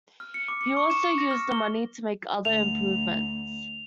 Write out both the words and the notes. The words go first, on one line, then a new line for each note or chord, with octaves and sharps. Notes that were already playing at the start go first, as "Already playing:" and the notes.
He also used the money to make other improvements.
F6
C#7
D6
C#7
C#6
E7
C#7
A#6
F6
G7
D2 F7